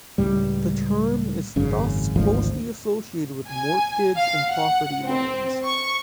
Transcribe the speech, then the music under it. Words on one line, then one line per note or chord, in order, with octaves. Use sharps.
The term is thus closely associated with mortgage and property loans.
C#2 A2 G3
G#1 F#2 C#3
G#1 D2 G#2 F3
G#5
F5
F#5
C4
C#6